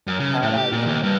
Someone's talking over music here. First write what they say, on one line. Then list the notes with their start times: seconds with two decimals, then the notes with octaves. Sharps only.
Had I known!
0.07 F#2
0.20 C#3
0.43 A2
0.57 G4
0.72 A#2
0.86 D#2
1.04 G2